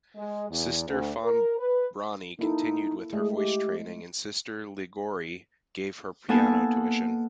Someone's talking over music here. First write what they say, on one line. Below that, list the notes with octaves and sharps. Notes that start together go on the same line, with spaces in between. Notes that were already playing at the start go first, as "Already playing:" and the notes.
Sister Febronie continued with her voice training and Sister Liguori gave her piano tuition.
G#3
E2
D2
A#4
B4
A#3 D#4 E4 A4
G#3 A3 G#4
G4
A#3 B3 D#4 A4 G#5 A5